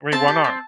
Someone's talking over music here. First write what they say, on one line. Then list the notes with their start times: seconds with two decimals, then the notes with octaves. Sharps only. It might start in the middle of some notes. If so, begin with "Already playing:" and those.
I mean, why not?
0.12 C4 A5
0.28 G4
0.44 C4